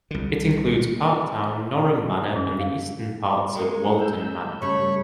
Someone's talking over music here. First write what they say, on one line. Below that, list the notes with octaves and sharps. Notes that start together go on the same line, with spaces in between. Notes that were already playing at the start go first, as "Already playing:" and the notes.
It includes Park Town, Norham Manor, and the eastern parts of Walton Manor.
C2 D3
G4 A4
F#2 G#4
A#4 F5
G#3 A#3 C#6
E6 G6
G2 C#3 G3 A3 C#5 B5 C#6